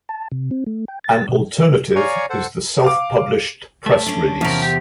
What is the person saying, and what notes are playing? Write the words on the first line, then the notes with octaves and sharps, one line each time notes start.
An alternative is the "self-published press release".
A5
C3
C4
A3
G5
A6
B2
C#5 D5 F5 G#5 A#5 C#6
A4 C5 F#5
F5 D6
A3
C#4 D4
E2 C3 F3 C#4 A#4
G4